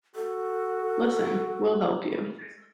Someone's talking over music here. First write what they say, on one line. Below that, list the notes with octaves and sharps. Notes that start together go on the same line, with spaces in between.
Listen, we’ll help you.
F#4 A4